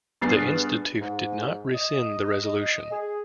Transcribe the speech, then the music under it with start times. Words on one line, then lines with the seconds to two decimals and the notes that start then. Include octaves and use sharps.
The Institute did not rescind the resolution.
0.22 G2 B3 G#4 A6 C7
1.00 G#2
1.75 D#5
2.91 G#4